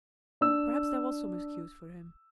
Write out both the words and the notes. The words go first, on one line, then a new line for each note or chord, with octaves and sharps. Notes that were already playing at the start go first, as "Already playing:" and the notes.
Perhaps there was some excuse for him.
D4 E6